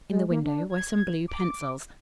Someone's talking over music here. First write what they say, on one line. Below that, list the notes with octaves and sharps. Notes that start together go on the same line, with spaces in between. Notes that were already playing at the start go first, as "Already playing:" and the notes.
In the window were some blue pencils.
G#3
A#3
D4
G#6
D6